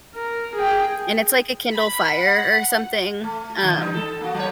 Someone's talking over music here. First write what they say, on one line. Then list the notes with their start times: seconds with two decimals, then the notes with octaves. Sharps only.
and it's like a Kindle Fire or something, um
0.16 A#4
0.55 G#4 G5
1.73 B5
2.17 F#5
3.24 A3
3.62 C3 D#3
3.77 E3 G3 D#4
3.94 A4
4.21 A#3 F#4
4.34 F#3 C#5